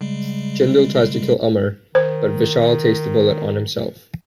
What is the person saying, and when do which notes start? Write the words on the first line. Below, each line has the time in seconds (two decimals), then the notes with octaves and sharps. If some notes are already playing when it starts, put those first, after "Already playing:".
Jindal tries to kill Amar, but Vishal takes the bullet on himself.
0.01 C#3 G3 G#3
1.95 D#3 C5